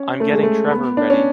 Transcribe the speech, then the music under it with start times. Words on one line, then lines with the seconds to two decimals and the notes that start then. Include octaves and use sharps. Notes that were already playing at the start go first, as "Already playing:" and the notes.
I’m getting Trevor ready!
Already playing: C#4
0.20 A3
0.32 G#3
0.43 A3
0.71 B3
0.97 D4
1.10 C#4